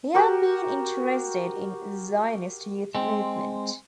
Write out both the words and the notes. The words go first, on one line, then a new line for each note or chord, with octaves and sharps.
He had been interested in the Zionist youth movement.
F#4 G4 A#4
G#3 C4